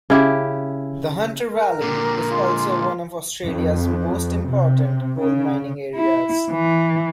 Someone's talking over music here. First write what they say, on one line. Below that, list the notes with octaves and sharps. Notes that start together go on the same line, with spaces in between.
The Hunter Valley is also one of Australia's most important coal mining areas.
C#3 E4 G4
A#4
A#2 D3 G4
G#3 A#3 F4
F2
C3
C#3
E4
E3